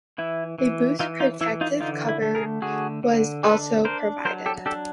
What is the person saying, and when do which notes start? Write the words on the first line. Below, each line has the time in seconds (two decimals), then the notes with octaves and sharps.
A boost protective cover was also provided.
0.18 E3 E4
0.58 E3
0.99 E3 D#4 F4
1.20 D#4 F4
1.41 E3 E4
1.61 D#4 F4
1.81 D3 D#4 F4
2.09 E4
2.22 A3
2.35 G#4 A#4
2.62 D3 F#4 G#4
3.03 D3
3.43 D4 A4 B4
3.85 D4 A#4 C5
4.25 F#3 A#4 C5
4.46 G4 A4
4.66 D4 G4 A4